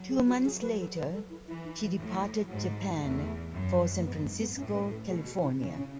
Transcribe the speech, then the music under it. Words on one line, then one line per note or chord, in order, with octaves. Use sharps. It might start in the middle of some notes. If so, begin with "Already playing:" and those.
Two months later she departed Japan for San Francisco, Cali.
Already playing: F#3
G#4
F#4
G#4
B4
A4
B4
A4
E4
E3 E4
D#4
F#3
A2 F#3
F#3
G#3
G#2 F#3
G#3
G#3
E2 A3
F#2
A3
G#2 B3
A3
B3
A2 C#4
B4
A4
B2 G#4
F#4
E4
C#3 C#4
C#4